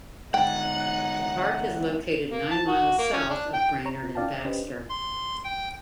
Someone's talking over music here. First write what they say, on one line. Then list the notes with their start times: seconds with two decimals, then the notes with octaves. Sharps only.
The park is located nine miles south of Brainerd and Baxter.
0.34 G#2 D3 D#4 F#5 G5
2.29 A#3
2.51 A5
2.68 F#4
2.99 A#3
3.13 C#4
3.30 D4
3.54 G5
3.86 C#5 A#5 C#6
4.15 C#4 D4 D5 F5 G5 A5
4.45 C#4 D4 G4 B4 C5 D#5
4.89 C6
5.44 G5